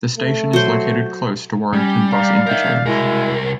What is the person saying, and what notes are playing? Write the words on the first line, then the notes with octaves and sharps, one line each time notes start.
The station is located close to Warrington Bus Interchange.
A3
F#3 C5
G3 C#4
D5 F5 A#5
A#4 D#5 E5 G6
C2 B2 G#3 E4 G#4 A#4